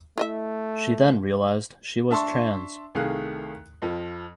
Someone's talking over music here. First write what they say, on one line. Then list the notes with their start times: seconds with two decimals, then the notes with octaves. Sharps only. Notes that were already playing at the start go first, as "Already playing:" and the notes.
She then realized she was trans.
0.18 A3 E4 D#5 E5
2.11 D4 E5 A5 C6 C#6
2.95 C2 D#3 A3 G#4 F5 F#6
3.82 F2 F3